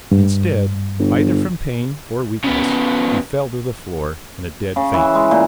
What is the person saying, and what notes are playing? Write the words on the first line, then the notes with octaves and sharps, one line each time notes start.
Instead, either from pain or weakness, he fell to the floor in a dead faint.
G2
G1
C#3 B3
C#3
E3
G#3
A#2